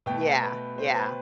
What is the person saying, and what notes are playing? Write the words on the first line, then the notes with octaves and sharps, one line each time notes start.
Yeah, yeah.
B2 A3 G5
B4
C5
B4